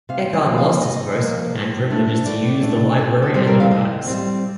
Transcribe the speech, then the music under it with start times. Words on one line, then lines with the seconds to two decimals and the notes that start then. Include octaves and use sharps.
Eckart lost his post and privileges to use the library and archives.
0.09 C3 F5
0.33 D#5
0.45 F3 A#3
0.58 F5
0.81 C3 D#5
1.18 F3 A#3
1.53 A2
1.90 A3 D4
2.26 A2 D5
2.62 A3 D4
2.98 A2 A4
3.22 A4
3.34 G3 C4
3.47 A#4
3.60 F5
3.70 A2 D#5
4.07 G3 C4